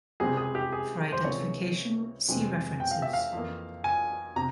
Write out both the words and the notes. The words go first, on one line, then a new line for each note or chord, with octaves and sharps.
For identification see references.
C#2 C3 G3 C4 G#4
G#4
G4
G#4
C5
C#2 C3 E3 A#3 C#5
F2 C3 E3 G#3 C4
G5
F5
E5
F5
F2 E3 A#3
G#5
C3 A#5